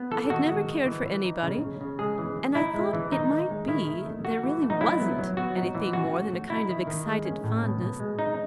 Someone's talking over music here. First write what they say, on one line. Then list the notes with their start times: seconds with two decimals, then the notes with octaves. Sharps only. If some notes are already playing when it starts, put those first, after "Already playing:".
I had never cared for anybody, and I thought it might be there really WASN'T anything more than a kind of excited fondness.
Already playing: B3
0.11 E3 A4
0.30 D#3 F#4
0.49 G#3
0.68 D#3
0.86 E3
1.05 E3
1.24 D#4
1.43 C#3
1.62 C#3
1.81 C#3
1.99 G#3 G#4
2.18 E3
2.37 C#4
2.55 D#4 E4
2.74 G#3
2.93 E3
3.12 D#3 D#4
3.31 D#3
3.50 G#3
3.68 D#3 E4
3.87 D#3
4.05 A3
4.25 A3 F#4
4.43 E3
4.62 A3
4.70 D#4
4.81 F#3 E4
5.00 B3
5.19 F#3
5.37 B3 F#4
5.56 D#4
5.75 E3
5.93 C#4 F#4
6.12 A3
6.32 A3
6.50 D#4 E4
6.69 D#3
6.87 D#3
7.06 G#3
7.25 C#4
7.44 A2
7.63 B2
7.81 B2
8.00 G#3
8.19 D#4